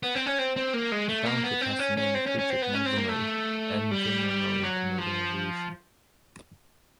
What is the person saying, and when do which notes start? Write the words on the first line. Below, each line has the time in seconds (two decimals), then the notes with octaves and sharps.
The township has the name of Richard Montgomery, an general in the American Revolution.
0.03 B3
0.15 C4
0.26 C#4
0.38 C4
0.56 C4
0.74 A#3
0.92 G#3
1.09 A3
1.26 A#3
1.44 B3
1.61 C4
1.79 C#4
1.97 C#4
2.15 C4
2.26 C#4
2.38 C#4
2.50 C4
2.62 B3
2.74 C#4
2.85 C4
2.97 A#3
3.09 A3
3.91 G3
4.63 F#3
4.98 F3